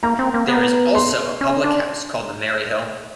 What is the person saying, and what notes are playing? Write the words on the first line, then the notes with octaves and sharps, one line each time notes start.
There is also a Public house called the Merry Hill.
A#3 A#5
C4
A#3
B3
C6
C#4
D4